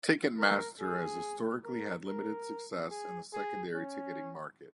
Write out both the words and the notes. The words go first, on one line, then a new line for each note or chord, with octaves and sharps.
Ticketmaster has historically had limited success in the secondary ticketing market.
A#4
G#4
A#4
A#4
G#4
G#4
C#4